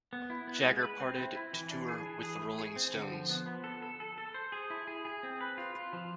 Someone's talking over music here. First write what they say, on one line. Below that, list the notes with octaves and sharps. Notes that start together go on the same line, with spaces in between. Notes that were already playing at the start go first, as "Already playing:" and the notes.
Jagger parted to tour with the Rolling Stones.
B3
E4
B3
G#3
B4
C4
E4
E4
E3
D4
G#4
E3
G#4
A3
G#4
C4
D3
F3
B3
B3
A4
A4
A4
A4
C5
G#4
E4
G#4
G#4
C4
B4
F4
F4
F3